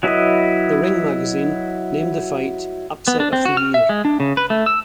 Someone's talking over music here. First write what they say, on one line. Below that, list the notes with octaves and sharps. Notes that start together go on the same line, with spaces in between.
"The Ring" magazine named the fight Upset of the Year.
F#3 E4 B4 D#5
B3
D4
C4
F#4
F6
E5
G#3
D4
C#3
B4
A3
E6